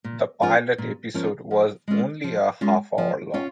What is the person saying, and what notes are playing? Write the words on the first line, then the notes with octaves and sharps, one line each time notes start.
The pilot episode was only a half-hour long.
A#2
F3 C#4 F4 A#4
A#2
F3 C#4 F4 A#4
F3
G#3 C#4 F4
F3
G#3 C#4 F4
F3
C#4 F4 C#5